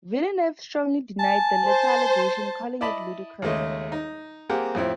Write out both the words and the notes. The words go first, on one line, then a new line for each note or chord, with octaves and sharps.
Villeneuve strongly denied the latter allegation, calling it ludicrous.
G#5 A5
C5
E4 D5 D#5 A5 B5
D#2 C#3 G#3 A3 C#4 D#5
D#4
A#3 C4 G4 G#4 A#4 F#5
F2 A2 C4 E4